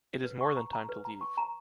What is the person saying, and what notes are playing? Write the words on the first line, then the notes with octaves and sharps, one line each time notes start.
It is more than time to leave.
B4
C#6
A#5
A#5
B4
A#5
C#6
A#5